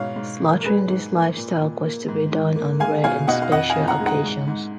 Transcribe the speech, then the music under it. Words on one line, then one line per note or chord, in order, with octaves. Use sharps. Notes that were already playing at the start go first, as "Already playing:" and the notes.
Slaughtering this livestock was to be done on rare and special occasions.
Already playing: G#2 B2 C#5 F5
G#2
A#3
A#4
G#2 G#4 B4
G#2
A#3
A#2
A#2
A#3
G#2
G#2
A#3
G#3 F5 G#5
B2 F5 G#5
B2 D#5 F#5
F5
F2 D#5 F#5
F5 G#5
F2
F#5 A#5
G#3
F#5 A#5
G#2
G#2